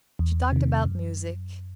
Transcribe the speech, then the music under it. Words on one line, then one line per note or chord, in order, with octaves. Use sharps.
She talked about music.
E2
C3 D#3
F#2